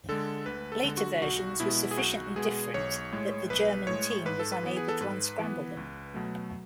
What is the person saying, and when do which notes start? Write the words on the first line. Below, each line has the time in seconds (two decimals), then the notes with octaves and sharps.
Later versions were sufficiently different that the German team was unable to unscramble them.
0.08 D3 G#3 A4
0.46 D2 B4
0.72 A4
0.84 D3 G#3
0.97 F#4
1.22 B1 F#4
1.60 B2 G#3 B3 E4
1.91 G#4
1.97 B1 F#4
2.36 B2 G#3 B3 G#4
2.74 B1 C#5
3.12 A2 G#3
3.50 B1 B4
3.87 A2 G#3 C#5
4.26 G#2 B4
4.39 A4
4.52 B4
4.63 E3 B3
4.77 G#4
4.89 A4
5.01 G#2 B4
5.39 E3 B3
5.77 C#2
6.14 B2 F#3 A3